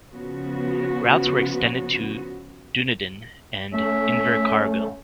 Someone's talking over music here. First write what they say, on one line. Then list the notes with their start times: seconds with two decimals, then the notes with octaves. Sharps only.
Routes were extended to Dunedin and Invercargill.
0.11 C#3 F3 B3 F#4
3.74 A3 C#4 E5